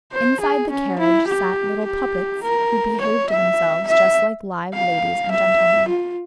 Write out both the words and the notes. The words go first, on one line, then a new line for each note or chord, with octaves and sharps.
Inside the carriage sat little puppets, who behaved themselves just like live ladies and gentlemen.
C5
G#4
C#4
E4
G4
G4
A#4
C#5
E5
E5
F5
E5
F4